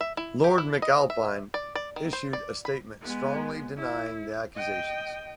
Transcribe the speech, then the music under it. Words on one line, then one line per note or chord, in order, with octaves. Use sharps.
Lord McAlpine issued a statement strongly denying the accusations.
E5
E4
G4
E4
D#5
E5
D5
D5
D#3
C5
D5
B5
G#3 B3
E4
D#5 G5